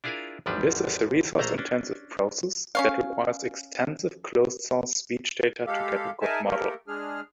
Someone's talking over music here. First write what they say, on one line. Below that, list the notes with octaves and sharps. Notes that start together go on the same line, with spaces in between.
This is a resource-intensive process that requires expensive closed-source speech data to get a good model.
D4 E4 F4 G#4 A#4 F5
G#1 E2 F3 G3 D4 B4
A#1 A3 A#3 C5 A#5
C#4 D4
C#4 C#5 F5
G#3 G4 A4 F5
D#4 G#4 A#4 E5 G#5 A5
A3 A#3 G4 A4 A#4
G#3 D4 G#4 F6